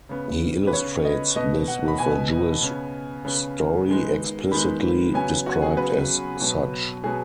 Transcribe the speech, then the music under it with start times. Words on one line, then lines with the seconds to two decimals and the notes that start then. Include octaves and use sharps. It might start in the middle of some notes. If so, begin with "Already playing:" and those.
He illustrates this with a Jewish story, explicitly described as such.
0.09 C#3 B3
0.67 B4
0.73 C#3 B3 C#5
1.05 D#5
1.36 B2 B3 D#5
1.68 F#5
1.88 B5
1.98 B2 B3 G#5
2.63 C#3 B3
3.25 C#3 B3
3.89 D#3 G#3 B3
4.52 D#3 G#3 B3 B5
5.14 C#3 F#3 B3 G#5
5.46 F#4
5.62 G#4
5.77 C#3 F#3 B3 B4
6.40 B2 F#3 B3
7.03 B2 F#3 B3 G#4